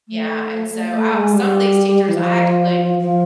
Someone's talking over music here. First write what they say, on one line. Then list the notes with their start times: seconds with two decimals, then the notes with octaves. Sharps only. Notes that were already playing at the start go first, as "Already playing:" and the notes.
Yeah, and so I w some of these teachers, I actually
0.08 A3
0.91 A3
1.12 G#3
1.32 G3
2.09 E3
2.16 F3
2.99 F3